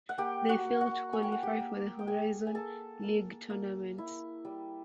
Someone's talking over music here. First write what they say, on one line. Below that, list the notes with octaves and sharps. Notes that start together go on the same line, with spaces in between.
They failed to qualify for the Horizon League Tournament.
F#5
A#3 G4 G5
F#4 F#5
A#3
F#4 F#5
A#3 G#5
G5
F#5
G4 G5
A#3
G5
A#3 G#4 G#5
G#5
A#3 A4 A5
A#3
A#3
E4
G3